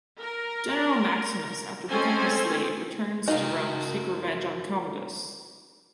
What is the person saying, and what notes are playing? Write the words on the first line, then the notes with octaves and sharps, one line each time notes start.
General Maximus, after becoming a slave, returns to Rome to take revenge on Commodus.
A#4
G#3 C4 C#4 A4 C5 G#5
D#4 F#4 A#4 F5